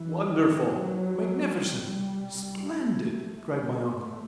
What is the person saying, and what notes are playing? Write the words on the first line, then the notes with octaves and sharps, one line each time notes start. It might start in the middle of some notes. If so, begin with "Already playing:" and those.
"Wonderful, magnificent, splendid!" cried my uncle.
Already playing: F#2 E3
D#3
F#2 F#3
C2 B2 G3
G3
F#2
A3
F#2
G3
D#2 A3